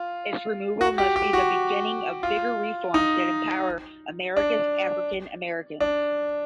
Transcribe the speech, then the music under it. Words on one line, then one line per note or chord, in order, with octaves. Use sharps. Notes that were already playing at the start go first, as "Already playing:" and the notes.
Its removal must be the beginning of bigger reforms that empower America’s African Americans.
Already playing: F4
F#4
G4
G4
F#4
F4
D#4
D4
D4